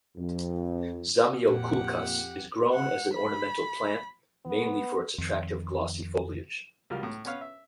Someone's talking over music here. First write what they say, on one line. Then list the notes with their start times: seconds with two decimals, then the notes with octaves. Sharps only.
"Zamioculcas" is grown as an ornamental plant, mainly for its attractive glossy foliage.
0.17 F2
1.48 F2 A#2 G4 F#5
2.74 F#5
3.14 B5
4.46 B3
5.18 F2 D#3
6.90 C#2 F#3 G3 F4 A#4 F6
7.03 A2
7.25 B3 C#4 B4 C#5 F5
7.41 E5